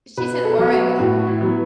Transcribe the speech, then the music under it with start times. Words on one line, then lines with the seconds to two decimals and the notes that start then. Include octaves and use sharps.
She's in Oregon.
0.17 B2 B4
0.45 A4
0.58 F#3 B3
0.72 F#4
0.99 A2 F#4
1.27 E4
1.41 F#3 B3